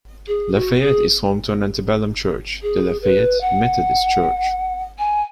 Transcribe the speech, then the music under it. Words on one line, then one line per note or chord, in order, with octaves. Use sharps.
LaFayette is home to an antebellum church, the Lafayette Methodist Church.
G#4
F#4
G#4
G#4
B4
F#5
G#5